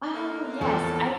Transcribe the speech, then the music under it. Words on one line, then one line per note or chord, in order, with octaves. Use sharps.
Oh, yes, I
D3 A3 A#3
E2 A2 F3 A#3 A4